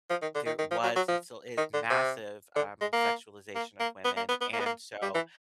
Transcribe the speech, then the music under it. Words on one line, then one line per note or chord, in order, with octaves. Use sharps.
there was and still is massive, um, sexualization of women, and so
F3
D#3
D3
D#3
D#3
F3
F#3
F#3
F3
D#3
D3
C3
D3
G#3
A#3
A#3
A#3
B3
A#3
B3
B3
A#3
B3
A#3
G3
E3